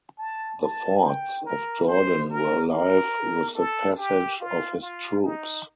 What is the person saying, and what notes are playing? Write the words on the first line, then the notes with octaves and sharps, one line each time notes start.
The fords of Jordan were alive with the passage of his troops.
A5
A5
G5
A#4
C5
A#4
A#4
A4
G4
F4
F4
D#4